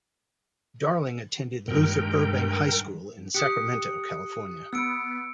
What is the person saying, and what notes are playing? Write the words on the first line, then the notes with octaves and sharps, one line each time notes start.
Darling attended Luther Burbank High School in Sacramento, California.
G2 A#2 D#3 G#3 A#4 G5
G4 D#6 F#6 C#7
B3 E6 C#7 D7